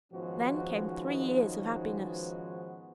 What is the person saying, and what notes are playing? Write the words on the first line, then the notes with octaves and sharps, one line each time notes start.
Then came three years of happiness.
G#2 D#3 F3 B3 C#4 F#4